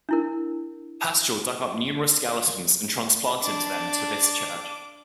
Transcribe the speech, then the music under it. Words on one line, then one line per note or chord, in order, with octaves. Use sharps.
Paschal dug up numerous skeletons and transplanted them to this church.
D4 E4 A#4
D4 D6